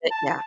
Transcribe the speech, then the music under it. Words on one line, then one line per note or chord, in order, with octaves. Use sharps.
but yeah.
A5